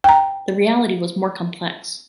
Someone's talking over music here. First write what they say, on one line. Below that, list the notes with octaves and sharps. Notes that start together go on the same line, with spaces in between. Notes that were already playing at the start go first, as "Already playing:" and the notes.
The reality was more complex.
G5 A#5